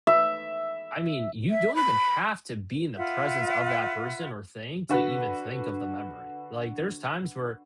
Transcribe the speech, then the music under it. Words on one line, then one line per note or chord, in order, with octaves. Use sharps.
I mean, you don't even have to be in the presence of that person or thing to even think of the memory, like, there's times where
E5
E5
B5
F4 B4 E5 F#5
D3 F#4 B4